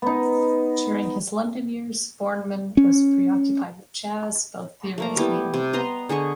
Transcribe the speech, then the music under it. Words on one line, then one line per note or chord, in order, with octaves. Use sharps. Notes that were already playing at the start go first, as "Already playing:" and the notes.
During his London years Borneman was preoccupied with jazz, both theoretically and practically.
B3 D#4
C#4
A3 A#3 A#5
G3 B3 E4 G4
C3
B3 D#5 A#5 C6
D3 G#4 D#5 C#6